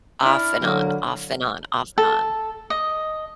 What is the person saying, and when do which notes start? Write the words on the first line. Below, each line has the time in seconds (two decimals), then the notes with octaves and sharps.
Off and on, off and on, off and on,
0.22 D4 E4 F6
0.62 D3 F#3 A#3
1.98 A4
2.70 D#5